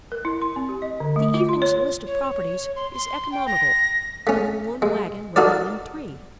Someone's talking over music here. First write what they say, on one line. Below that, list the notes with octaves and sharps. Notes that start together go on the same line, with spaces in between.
The evening's list of properties is economical, filling one wagon, rather than three.
A#4
E4
C6
C4
G4
D#5
D3
A3
F4
C6
C#5
C#5
C6
C6
G5
A#6
A3 C#4
G#3
D#4 F#4 A4 A#4 D5